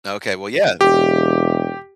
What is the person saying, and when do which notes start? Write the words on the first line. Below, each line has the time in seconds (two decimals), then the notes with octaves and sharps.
Okay, well, yeah,
0.81 E1 G4